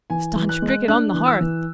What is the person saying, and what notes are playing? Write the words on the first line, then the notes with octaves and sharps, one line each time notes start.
Staunch Cricket on the Hearth!
E3 G#5
E3
F#6
G#3
F#6
D4 F#6
E3
E6
E3